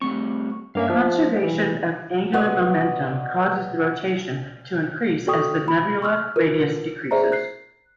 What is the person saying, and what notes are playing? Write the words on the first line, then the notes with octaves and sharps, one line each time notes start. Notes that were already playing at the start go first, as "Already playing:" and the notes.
Conservation of angular momentum causes the rotation to increase as the nebula radius decreases.
G3 A3 C4 C#6
G2 A#3 C#4 E5 F5
F3
E3
B3 F#4 D5 D#5
F#4 A4 D5 G5 C#6 D#6
B5
C#6 E6 F6
F4 A#4 B4
G#4 C5 D5 E5 A#5
F#6 C7